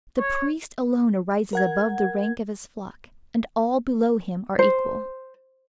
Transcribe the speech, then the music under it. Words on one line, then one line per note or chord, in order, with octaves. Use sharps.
The priest alone rises above the rank of his flock, and all below him are equal.
C#5
A#4 F#5 G#6
C5